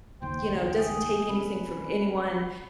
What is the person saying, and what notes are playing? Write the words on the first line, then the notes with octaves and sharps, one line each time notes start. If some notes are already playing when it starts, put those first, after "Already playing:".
you know, doesn't take anything from anyone,
F#1 D#2 C5 G5
G#4
C2 C#4 B4